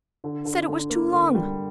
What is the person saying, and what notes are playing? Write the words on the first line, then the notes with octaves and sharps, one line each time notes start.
Said it was too long!
D3
D3
D3
A#3
D3
G3